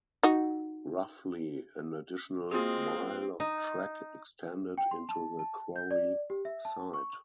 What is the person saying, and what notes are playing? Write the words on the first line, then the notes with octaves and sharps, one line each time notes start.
Roughly an additional mile of track extended into the quarry site.
D#4 F#4
G#3 A#3 C4 F4 F#4 G#4 D#5 F5
D#4
G5
C6
A5
A5
G6
D5
G4
E5
A5
C#6